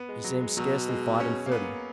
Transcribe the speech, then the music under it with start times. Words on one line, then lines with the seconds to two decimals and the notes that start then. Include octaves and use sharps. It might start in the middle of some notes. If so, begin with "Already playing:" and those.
He seemed scarcely five and thirty.
Already playing: B3
0.09 G#3
0.24 F#3
0.41 G#3
0.57 B2 F#3
0.88 G#3
1.20 C#4
1.46 A#3
1.51 B3